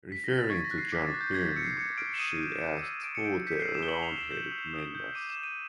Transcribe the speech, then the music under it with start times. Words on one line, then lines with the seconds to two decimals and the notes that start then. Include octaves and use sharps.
Referring to John Pym, she asked who the roundheaded man was.
0.12 B6
0.24 A#6
0.38 A6
0.50 C#6 G#6
0.64 A#6
0.71 F#6
0.78 C7
0.87 A#6
0.92 D6 B6
1.06 A6
1.14 F#6
1.21 G6
1.35 G6 G#6
1.49 A6
1.56 E6 C#7
1.63 C7
1.77 D6 C#7
1.98 F6 D7
2.14 E7
2.19 D#6 D#7
2.40 G6
2.62 G6
2.83 E6
3.04 D#6 D7
3.15 C#7
3.24 G6 D7
3.47 G6 B6
3.54 C#7
3.60 C7
3.68 E6
3.74 E7
3.83 G7
3.88 C#6 F#7
4.02 F7
4.09 F6
4.16 E7
4.31 G6 E7
4.52 E6
4.73 D#6
4.95 G6
5.15 D6 D#7
5.30 E7
5.37 G6
5.43 D#7